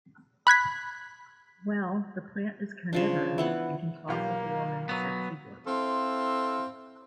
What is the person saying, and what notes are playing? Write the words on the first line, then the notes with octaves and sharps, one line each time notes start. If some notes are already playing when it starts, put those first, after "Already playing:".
Well, the plant is carnivorous and can talk with a woman's sexy voice.
B5 F#6 G#6 B6
C#3 F3 D4
E3 B3 F#5
B1 A#3 F4 G4
F#3 B3
C4 E4 A4 F5 C6